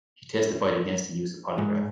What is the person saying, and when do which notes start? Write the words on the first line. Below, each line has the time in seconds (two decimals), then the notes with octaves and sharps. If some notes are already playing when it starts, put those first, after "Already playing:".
He testified against the use of polygraph.
1.58 G#2